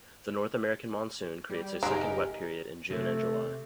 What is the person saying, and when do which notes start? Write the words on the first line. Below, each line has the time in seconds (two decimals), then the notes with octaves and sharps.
The North American Monsoon creates a second wet period in June and July.
1.50 G3
1.83 F#1 G#3 D#4 G4 G#4 A#4
2.90 C3 A3